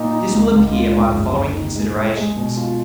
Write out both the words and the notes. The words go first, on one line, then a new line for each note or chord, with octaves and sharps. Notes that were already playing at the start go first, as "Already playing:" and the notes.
This will appear by the following Considerations.
Already playing: A#2 D#4
D#4
C#2
C#2
F4
G#2
F#1
F#1
D#3
G#3
G#3
G#3
B2
F4